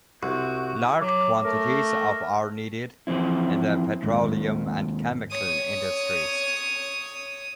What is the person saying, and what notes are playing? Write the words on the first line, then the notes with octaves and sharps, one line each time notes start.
Large quantities of are needed in the petroleum and chemical industries.
C2 F#4
F#3 D6
A3 A#4
E3 F3 C4 E4
D#2 G#2
C#5 D#6